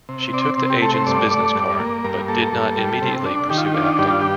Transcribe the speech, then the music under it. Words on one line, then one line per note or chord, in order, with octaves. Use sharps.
She took the agent's business card but did not immediately pursue acting.
C3
C4 D5
C3
G4
A3 A4
C5
G2 D5
A3
G2
A#3
G2 A#4
A#3 A4
G2
G3
C3
D4
D#3 G4
F4
G4
D4 F4
G2 G4
F4
G4